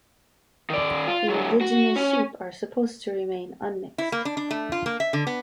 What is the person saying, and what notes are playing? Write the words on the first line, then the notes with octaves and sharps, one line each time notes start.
The indigenous sheep are supposed to remain unmixed.
D#3 D5
F4
D3 F#3
F#4
C#4
E4
A#3
D4
D4
A3
F4
A#3
E5
D3
B3